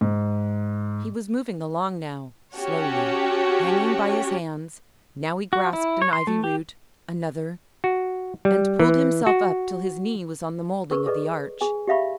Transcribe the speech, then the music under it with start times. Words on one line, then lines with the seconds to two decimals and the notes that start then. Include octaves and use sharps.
He was moving along now, slowly--hanging by his hands; now he grasped an ivy root--another--and pulled himself up till his knee was on the moulding of the arch.
0.01 G#2
2.56 C#4 F#4 G4 C#5 G5 A5
5.53 F#4
5.73 E4
6.02 C#5
6.13 C6
6.27 A3
6.44 G4
7.84 F#4
8.45 G3
8.80 E3
9.27 F#4
10.91 G#4 A#4 B4 C#6
11.06 G#4 A4 B4 D5 D#5
11.61 G#4 G#5
11.88 G4 D5 E5 F5 B5 C#6